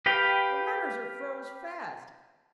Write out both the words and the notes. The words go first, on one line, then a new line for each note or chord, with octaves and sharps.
The runners are froze fast.
G4 B4 F5 G5